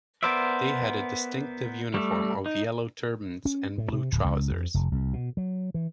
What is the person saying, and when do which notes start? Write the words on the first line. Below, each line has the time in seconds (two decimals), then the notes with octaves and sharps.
They had a distinctive uniform of yellow turbans and blue trousers.
0.23 B3 A#4 C5 D5 E5
1.94 G3 A3
2.46 D#4
3.45 C#4
3.78 A2
3.93 C3
4.12 D1
4.24 C#2
4.51 F2
4.74 F1
4.92 C2
5.13 B2
5.37 F#3
5.74 E3